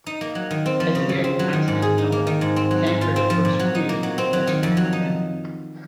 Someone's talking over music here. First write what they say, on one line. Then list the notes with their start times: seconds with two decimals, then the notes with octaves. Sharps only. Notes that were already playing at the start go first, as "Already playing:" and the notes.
As he had in Constantinople, Tancred at first refused, but he eventually gave in.
0.06 D#4
0.21 A#3
0.35 F#3
0.51 D#3
0.66 C4
0.80 F3
0.95 C#3
1.09 F2
1.24 C4
1.39 F#3
1.53 D#3
1.68 G#2
1.82 G#4
1.98 D#4
2.12 A#3
2.27 D#3
2.41 G#2
2.56 C4
2.71 F#3
2.86 G#2
3.01 F4
3.16 C4
3.30 F3
3.45 A#2
3.59 F#3
3.75 D#4
3.89 A#3
4.03 F#3
4.18 C4
4.33 F#3
4.47 D#3
4.63 F2
4.77 F#3
4.93 D#4